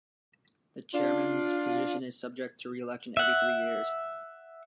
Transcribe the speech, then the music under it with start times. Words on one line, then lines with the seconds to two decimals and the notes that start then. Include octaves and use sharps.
The chairman's position is subject to re-election every three years.
0.94 D4 F4
3.17 E5 F#5